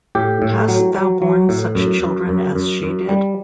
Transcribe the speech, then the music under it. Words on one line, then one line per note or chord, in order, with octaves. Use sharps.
Hast thou borne such children as she did?
A2 G4
A2
F#3
F#3
F#3
A2
F#2
F#2
F#2
F#2
F#2
G3